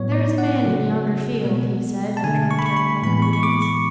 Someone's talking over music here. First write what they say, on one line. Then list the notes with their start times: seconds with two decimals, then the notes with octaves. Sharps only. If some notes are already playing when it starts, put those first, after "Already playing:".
"There is a man in yonder field," he said, after returning their greetings.
Already playing: A2 F#3 B3 C#5
0.12 D5
0.38 F#5
0.64 C#3 F#3 A3
1.44 B2 G#3 B3
2.17 A5
2.24 D3 A3 G#5
2.51 C#6
2.59 B5
2.66 C#6
2.77 B5
3.02 A2 E3 G#3 B3 B5
3.22 C#6
3.33 C#6
3.43 D6
3.62 C#6